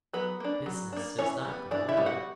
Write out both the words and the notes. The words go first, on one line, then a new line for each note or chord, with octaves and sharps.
'Business does not go well.
F#3 B3 B4
A#3 D4
F#3
A#3 D4
E3 C#4 C#5
G3 B3
E3 D4 D5
E4 E5
G3 B3
F#4 F#5